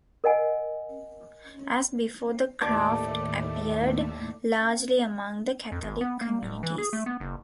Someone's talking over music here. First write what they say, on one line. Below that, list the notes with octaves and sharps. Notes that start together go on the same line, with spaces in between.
As before, the craft appeared largely among the Catholic communities.
A#4 D#5 F#5 G#5
D#2 A2 A3 D5 A5 D6
F2
G#1
B3
A#3
D1
E3
G#4
A3
B3
F#1